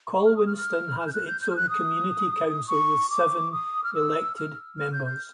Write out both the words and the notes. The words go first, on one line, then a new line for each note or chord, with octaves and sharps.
Colwinston has its own community council with seven elected members.
C#6
F6
D#6
F6
F6
F6
G6
F#6
G6
G6
F6
F#6
D#6
C#6
D6
D#6
F6
E6
F6
F6
G6
G6